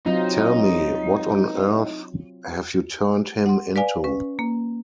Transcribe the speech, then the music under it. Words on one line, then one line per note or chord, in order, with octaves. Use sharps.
Tell me, what on earth have you turned him into?
F#3 C4 D#4 F4
F#5 C6
B4 D5 F5 G#5
C#4 B4
A#3